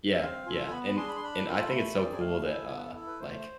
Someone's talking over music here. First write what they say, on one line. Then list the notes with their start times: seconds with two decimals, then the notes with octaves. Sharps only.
Yeah, yeah, and and I think it's so cool that, uh, like
0.12 E5
0.21 C4 F5
0.46 F4 A4 G#5
0.71 B3 B5
0.83 B5
0.96 D4 G#4 C6
1.09 B5
1.16 C6
1.21 D4 B5
1.46 F4 A4
1.59 A5
1.70 A3 B5
1.95 C4 G#4 D5
2.13 G#5
2.20 A3 F5
2.45 E4 A4 G#5
2.70 B3 A4
2.77 B4
2.82 A4
2.95 E4 A4
3.07 B4
3.19 A3 C5